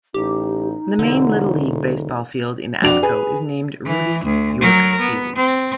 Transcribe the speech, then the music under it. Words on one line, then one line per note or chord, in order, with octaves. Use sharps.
The main Little League baseball field in Atco is named Rudy York Field.
A1 D#4 G4
E1 D3
F2 D4 F#4 D5 F7
G#4 B4 G#5
E3
D2
F#3 A#4
B3
C4